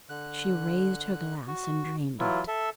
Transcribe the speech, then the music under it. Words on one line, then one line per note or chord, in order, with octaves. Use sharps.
She raised her glass and drained it.
D3 F#6
F#4
E3 F#3 E4 F4
A4 E5